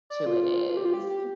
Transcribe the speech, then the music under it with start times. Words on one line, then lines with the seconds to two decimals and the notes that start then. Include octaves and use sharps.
to it is
0.10 D5
0.26 F4
0.69 F4
0.77 G4
0.85 F4
0.94 G4
1.10 G4